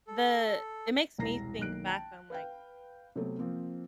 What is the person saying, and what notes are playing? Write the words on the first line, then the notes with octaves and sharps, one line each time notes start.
the it makes me think back on, like,
A4
E1 C2 A#5 A#6 C7
B1 D#3 A#3 F#6 D7
G5 A5
B4 F5 G5
C3 F#3 A3 B3 C4
F3 A#3 C4